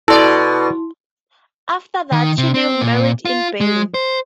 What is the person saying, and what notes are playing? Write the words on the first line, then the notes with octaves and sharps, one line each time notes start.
After that she lived married in Berlin.
B2 E4 A4 D5 C6
D#3
C3
C4
A#2
F4
G#3
C5